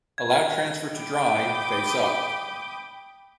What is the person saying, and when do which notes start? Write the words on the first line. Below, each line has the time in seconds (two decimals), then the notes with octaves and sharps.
Allow transfer to dry, face up.
0.18 G#6
0.98 G5 B5 D6 D#6 G6